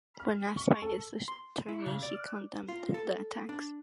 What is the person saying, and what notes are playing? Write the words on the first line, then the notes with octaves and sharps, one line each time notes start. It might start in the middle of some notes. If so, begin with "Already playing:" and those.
When asked by his attorney, he condemned the attacks.
F6
C#6
A4
C6
E4
C#3
D5
F4
A4
D4